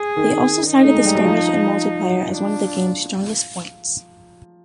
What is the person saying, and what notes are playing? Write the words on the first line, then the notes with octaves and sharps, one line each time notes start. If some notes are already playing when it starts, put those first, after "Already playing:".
They also cited the skirmish and multiplayer as one of the game's strongest points.
Already playing: G#4
D#3
D#4
A3
G#3
G3
F#3
F3
D4